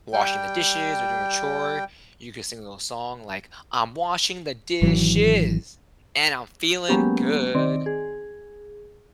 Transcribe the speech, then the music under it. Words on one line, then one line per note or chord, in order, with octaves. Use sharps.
washing the dishes or doing a chore, you could sing a little song like, "I'm washing the dishes, and I'm feeling good."
G3 G5
G#1 E3 F#3
F#3 G#3 A#3 B3 C#4 G4
D#3 C4 D5
G#4